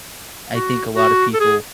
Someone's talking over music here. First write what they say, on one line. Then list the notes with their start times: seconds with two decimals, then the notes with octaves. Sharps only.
I think a lot of people
0.52 F#4
0.95 F#4
1.34 A4
1.40 G#4